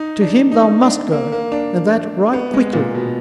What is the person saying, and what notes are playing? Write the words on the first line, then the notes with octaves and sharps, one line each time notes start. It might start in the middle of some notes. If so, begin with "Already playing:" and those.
To him thou must go, and that right quickly.
Already playing: D#4
D4
D#4
D4
A#3
A#3
D4
B3
G#3
A#2
B2